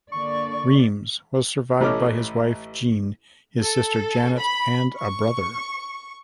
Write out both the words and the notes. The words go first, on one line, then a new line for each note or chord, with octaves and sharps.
Reems was survived by his wife, Jeanne, his sister Janet, and a brother.
D3 A#3 D5 C#6
A1 A3 C#5 D#5 D6 F6
A4
B5
C#6